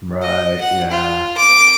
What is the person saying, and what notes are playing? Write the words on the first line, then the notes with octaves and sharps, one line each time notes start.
Right, yeah.
D#5
F#5
F4
D6